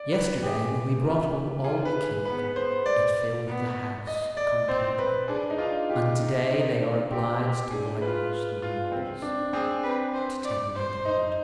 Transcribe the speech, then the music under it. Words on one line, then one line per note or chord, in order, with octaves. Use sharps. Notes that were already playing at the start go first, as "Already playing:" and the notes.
Yesterday, when we brought home all we killed, it filled the house, completely; and, to-day, they are obliged to white-wash the walls, to take away the blood.
Already playing: D5
B4
G4 G#4
F4
F4 G#4
B4
G#4
B3 B4
C5
D5
B3
D#5
D5
C4 C5
B4
D4 G#4
D#4
D4 F4
F4 G4
D#4
D#4
D4
C4 G4
C4 G4
D4 G#4
F4 B4
F4
C4
D4
C4 G#4
B4
C5
D5
C5
D#4